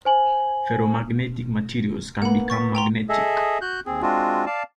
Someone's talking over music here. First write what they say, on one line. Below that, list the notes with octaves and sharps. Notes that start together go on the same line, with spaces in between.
Ferro-magnetic materials can become magnetic.
C5 G#5 F#7
A#3 B3 F#5 B5
C#6 A6 B6
G5 A#5 C6
G#4 A4 D#5 E5
F#4 F#6 G6
D#2 C4 G#4
G#3 C4 D4 F4 F#4
D5 F5 A5